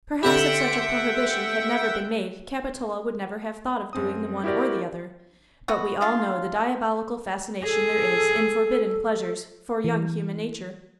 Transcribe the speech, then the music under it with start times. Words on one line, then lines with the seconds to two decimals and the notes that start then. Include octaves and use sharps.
Perhaps if such a prohibition had never been made Capitola would never have thought of doing the one or the other; but we all know the diabolical fascination there is in forbidden pleasures for young human nature.
0.23 D3 C4 G4 E5 F#5 G5
3.93 F#2 C4 D#6
4.44 E4 F#4 G4 A#4 D5
5.68 B3 F#4
6.01 D3 F4
7.64 G#4 A4
9.84 E3